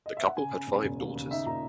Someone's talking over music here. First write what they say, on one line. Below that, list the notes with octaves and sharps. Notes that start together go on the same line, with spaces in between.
The couple had five daughters.
D#5
E5
F#5
C#3 G#5
C#3
E1
E1
D#2
C#3
D#4 E5
A#2 A#5